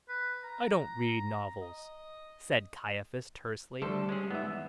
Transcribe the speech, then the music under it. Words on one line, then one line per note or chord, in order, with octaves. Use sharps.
"I don't read novels," said Caiaphas tersely.
B4
A#5
D#5
D2 G3 A4 C5
G#3 C#4 G#4
G#2 B3 E5
E2